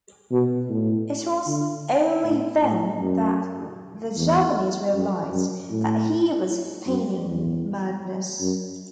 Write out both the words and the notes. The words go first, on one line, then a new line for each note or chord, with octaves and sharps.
It was only then that the Japanese realized that he was feigning madness.
B2
A2
D3
A2
A2
F#2
E2
F#2
F#2
A2
F#2
E2
F#2